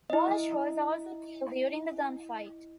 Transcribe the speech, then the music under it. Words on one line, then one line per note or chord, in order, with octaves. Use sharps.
Walsh was also killed during the gunfight.
E4 D#5